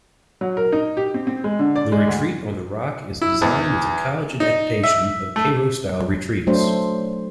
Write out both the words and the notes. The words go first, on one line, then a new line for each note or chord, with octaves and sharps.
The Retreat on the Rock is designed as a college adaptation of Kairos-style retreats.
F#3
A#4
D#4
G4
C4
C4
G#3
D3
D5
G#3
D2
E4
E2
D#4
E5
A3
F#3 A3 D4 C5